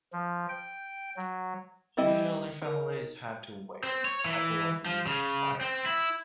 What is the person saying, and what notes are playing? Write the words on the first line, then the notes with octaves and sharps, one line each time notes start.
Usually families had to wait a couple of years to buy a car.
F3
G5
F#3
G3 C4 E4 D#5
D#4 A#4
C4
C#5
E3
F3
C#3
C4
E4